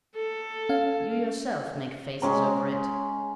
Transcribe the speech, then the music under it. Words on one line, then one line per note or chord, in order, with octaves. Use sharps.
You yourself make faces over it.
A4
C#4 F5
G#3 C#4 A#5